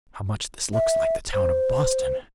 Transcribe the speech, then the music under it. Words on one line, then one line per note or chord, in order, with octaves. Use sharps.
How much this looks like the town of Boston!
E5
C5